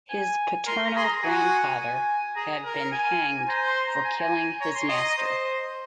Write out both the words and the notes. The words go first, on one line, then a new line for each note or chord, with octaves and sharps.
His paternal grandfather had been hanged for killing his master.
G#5
A#4 C6
A#5
G#4 C6
A#5
F#4 G#5
G#5
G#4 A#5
A#4
G#5
G#5
C5 A#5
C6
A#5
G#5
A#5
G#5
C#5 A#5
C6
D#5 C6
A#5
C5